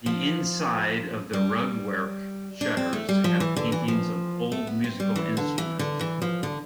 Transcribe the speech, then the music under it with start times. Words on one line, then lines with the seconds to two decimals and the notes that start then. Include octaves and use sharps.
The inside of the 'rugwerk' shutters have paintings of old musical instruments.
0.06 F3
1.33 G3
2.61 D4
2.77 C4
2.93 A3
3.09 G3
3.24 F3
3.40 E3
3.56 D3
3.72 E3
3.88 F3
4.52 A3
4.67 B3
4.84 C4
5.00 G3
5.16 E3
5.37 D3
5.58 E3
5.79 D3
6.01 E3
6.22 F3
6.43 D3